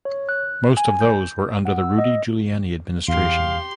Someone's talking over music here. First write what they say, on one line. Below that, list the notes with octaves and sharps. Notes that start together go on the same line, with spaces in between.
Most of those were under the Rudy Giuliani administration.
C#5
F#6
G#5
G6
F#5
E6
D#5
E2 G4 F5 C6